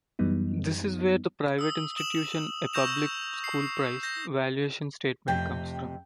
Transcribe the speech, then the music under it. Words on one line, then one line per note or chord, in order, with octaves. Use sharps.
This is where the "private institution a public school price" valuation statement comes from.
F#2 E3 F#3 G3 B3 D#4
D#6 E6
D#6 E7 F#7
C#6 E6 G6 A#6 E7 F7
C7
G6 A#6
F2 C3 A3 G5